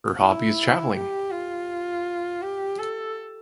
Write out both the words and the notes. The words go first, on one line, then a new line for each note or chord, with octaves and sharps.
Her hobby is travelling.
E4
G4
F4
G4
A4